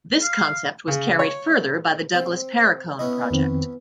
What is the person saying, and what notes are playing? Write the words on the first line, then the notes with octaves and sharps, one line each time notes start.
This concept was carried further by the Douglas Paracone project.
F5
C#3
C#5
C4
B3 C#4 E4 D#5
F2 D#3 C4